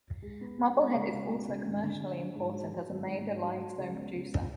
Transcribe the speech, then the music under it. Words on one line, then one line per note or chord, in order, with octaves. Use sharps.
Marblehead is also commercially important as a major limestone producer.
G#3
B3
G#3
G#3
C#2
C#2
B2
C#2
G#1
D3
D3
D3
G#2
F#3
F#3
G#1
G#2
G#2
F#3
F#3
C#2
B3
C#2